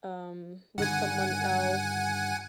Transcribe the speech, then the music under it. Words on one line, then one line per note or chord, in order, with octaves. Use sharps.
um, with someone else,
G2 D3 D#3 F#5 G#5